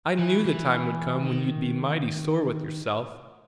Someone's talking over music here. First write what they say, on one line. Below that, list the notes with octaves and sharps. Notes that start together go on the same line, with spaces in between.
I knew the time would come when you'd be mighty sore with yourself.
E3
E3
D#3